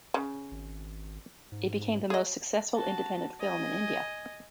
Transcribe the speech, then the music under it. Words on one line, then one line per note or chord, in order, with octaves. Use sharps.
It became the most successful independent film in India.
C#3
G#1
G#2
G#4 D#5
F#4 A5
D#5 G#5